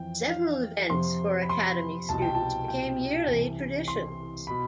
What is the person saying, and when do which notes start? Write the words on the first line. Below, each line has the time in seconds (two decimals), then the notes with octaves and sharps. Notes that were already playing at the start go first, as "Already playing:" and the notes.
Several events for Academy students became yearly traditions.
Already playing: F2 E3 G5
0.30 F5
0.90 F2 C3 F3 C6
1.42 B5
1.49 C6
2.09 C2 B2 A5
2.22 G5
2.35 A5
2.68 G5
3.28 C2 C3 E3
3.88 C6
4.47 B2 B5